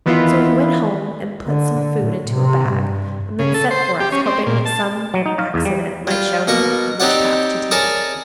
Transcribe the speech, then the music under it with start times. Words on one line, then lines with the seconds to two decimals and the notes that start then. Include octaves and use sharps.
So he went home and put some food into a bag, and then set forth, hoping that some accident might show him which path to take.
0.06 D#3 E3 B3 E4 F4
1.47 D3
1.98 A2
2.33 C3
2.69 G2
3.39 C#3
3.54 A4
3.71 C5
4.00 G4
4.12 C#4
4.26 C4
4.46 A#2
4.66 A5
5.14 F#3
5.26 D#4
5.39 F5
5.54 E2
5.65 G3
6.07 G3 F4
6.47 B2 A#3 A#4 C#6
7.00 C4 D#4 G4 C#5 D5 F#5
7.71 G#4 A#4 C#5 D5 A5